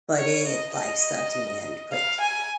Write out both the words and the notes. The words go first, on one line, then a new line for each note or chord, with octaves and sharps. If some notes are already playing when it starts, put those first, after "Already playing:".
but it, like, stuck to me, and quick
C#5
D#5
D#5
F5
G#5